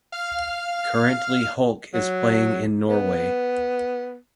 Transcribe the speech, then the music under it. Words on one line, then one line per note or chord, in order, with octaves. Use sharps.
Currently Holc is playing in Norway.
F5 F6
F#3
B3